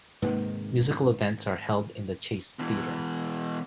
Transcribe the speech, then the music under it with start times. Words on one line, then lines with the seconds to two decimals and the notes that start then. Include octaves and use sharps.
Musical events are held in the Chasse Theater.
0.22 G#2 C3 D#3 G#3 A#3 B4
2.59 B2 E3